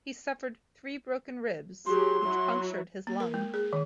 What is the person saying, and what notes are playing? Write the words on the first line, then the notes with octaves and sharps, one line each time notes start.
He suffered three broken ribs, which punctured his lung.
F#3 G4 G#4 C6
F#3 E4 F#4
A#3
A#4
G#3
G#4
D#3